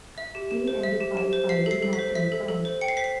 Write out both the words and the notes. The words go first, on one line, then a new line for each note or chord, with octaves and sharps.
He and his wife, Irene, have two sons.
E5
G4
G4
C5
E5
G4
G4
C5
E5 C7
A4 C7
A4
B6
C5
E5 B6
A4
A4
C5
G5 C#7
C7
C5 B6
C7